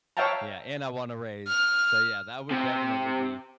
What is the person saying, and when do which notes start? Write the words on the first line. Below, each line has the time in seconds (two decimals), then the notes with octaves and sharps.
yeah, and I want a raise, so, yeah, that would definitely be,
0.17 C#5 E5 F5 G5 A5 A#5
1.47 F6
2.51 C3